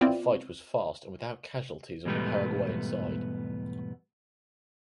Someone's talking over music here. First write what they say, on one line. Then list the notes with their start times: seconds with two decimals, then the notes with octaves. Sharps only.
The fight was fast and without casualties on the Paraguayan side.
0.01 B3 C4 E4 F4 D5
2.05 E2 G#2 B2 G3 A3 B3